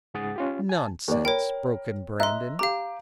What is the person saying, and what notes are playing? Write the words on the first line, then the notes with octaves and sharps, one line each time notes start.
"Nonsense!" broke in Brandon.
C#2 G#2 G#4 F#5 D#6 A6
C#4 F4 G4
G#5 A5
D#2 D5
A#4 C#5 G5 B5
D#5 E5 A#5 C6 F#6
G4 F5 A#5 D6